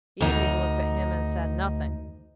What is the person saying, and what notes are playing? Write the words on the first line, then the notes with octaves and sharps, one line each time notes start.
Evening looked at him and said nothing.
D2 D#4